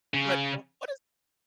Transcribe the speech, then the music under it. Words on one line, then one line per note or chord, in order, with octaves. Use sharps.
but, oh, what is
C#3